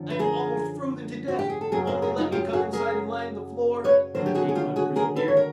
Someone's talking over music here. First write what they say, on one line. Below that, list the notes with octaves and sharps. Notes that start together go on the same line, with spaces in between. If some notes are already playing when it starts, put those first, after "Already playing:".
I'm almost frozen to death; only let me come inside and lie on the floor', said Hacon Grizzlebeard.
Already playing: F#2 D3 F3
B4
G#4 A#4
F#4
G4
G#4
A4
F#2 C#3 F#3 G#4 A#4
A#4 C5
G#4 A#4
D#4 F4
F4 G4
F#4 G#4
G#4 A#4
B4 C#5
D#2 D3 F#3 A#4 C5
G4
F#4 G#4
G#4
F4 G4
F#4 G#4
G#4 A#4
A4 B4
C#5
A#4